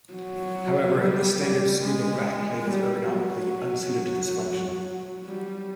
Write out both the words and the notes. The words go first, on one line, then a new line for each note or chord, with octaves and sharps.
However, the standard scuba backplate is ergonomically unsuited to this function.
F#3
G3
G3
G#3
G3
F#3
G3